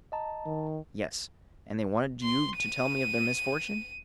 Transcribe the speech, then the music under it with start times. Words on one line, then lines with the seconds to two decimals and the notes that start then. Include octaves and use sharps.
"Yes." "And they wanted you to tell me of their misfortune"?
0.12 D#5 A5 A#5
0.46 D#3
2.23 C6
2.57 D#7